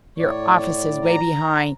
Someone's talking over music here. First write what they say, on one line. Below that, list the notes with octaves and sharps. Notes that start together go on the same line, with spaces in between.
Your office is way behind.
A2 C#5 D5
A#5